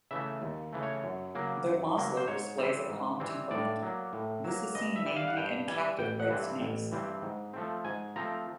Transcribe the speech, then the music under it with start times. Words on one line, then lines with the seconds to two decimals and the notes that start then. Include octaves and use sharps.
Though Mozler displays a calm temperament, this is seen mainly in captive bred snakes.
0.11 C#3 E3 A3 E5
0.42 D#2
0.73 C#3 E3 A3
0.83 C#5
1.04 F#2
1.35 C#3 F#3 A#3
1.66 F#2
1.96 C#3 F#3 A#3
2.17 C5
2.28 G#2 C#5
2.58 E3 G3 C4
2.90 G#2
3.20 E3 G3 C4
3.51 A2 D5
3.82 F#3 A#3
4.13 A2
4.44 F#3 A#3
4.75 G2 D#5
4.96 E5
5.06 E3 G3
5.16 F5
5.28 F#5
5.37 G2 G5
5.68 E3 G3 G#5
5.99 A1 G5
6.20 F#5
6.30 G2 E3 G3 C4
6.61 A1
6.92 G2 E3 G3 C4
7.22 G#2
7.54 F3 A3 C4
7.85 G#2 G#5
8.16 F3 A3 C4 A#5